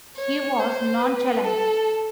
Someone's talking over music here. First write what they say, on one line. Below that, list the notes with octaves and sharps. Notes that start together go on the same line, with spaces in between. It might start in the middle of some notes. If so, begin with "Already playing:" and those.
He was nonchalant.
C#5
C5
B4
A4